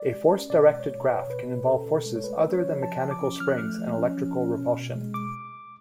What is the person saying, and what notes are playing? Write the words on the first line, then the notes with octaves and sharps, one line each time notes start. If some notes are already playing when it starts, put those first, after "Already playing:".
A force-directed graph can involve forces other than mechanical springs and electrical repulsion.
Already playing: D5
G#3
C#4
B2 D5
G#3
C#5
B2
B2 B4
C#5
B2 B4
B2
C#4 A4
B2
G#3
C#5
A3 B4
C#4
C#5
F3
F3 A5
F3
D6
C#4
F3 F6
F#6
A3 F6
F3
C#4
F3
C#4
B2
B2
G#3
B2 D6